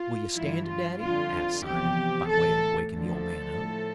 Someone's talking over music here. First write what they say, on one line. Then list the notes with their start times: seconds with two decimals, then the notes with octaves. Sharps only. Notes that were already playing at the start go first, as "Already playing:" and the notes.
"Will you stand it, daddy?" asked Simon, by way of waking the old man up.
Already playing: F4
0.35 G2 E3 E4
0.67 F4
0.99 F2 D3 F3 F4
1.65 E2 C3 F3 G4
2.29 A2 E3 A4
2.93 D2 D3 F3 A4
3.58 A2 F3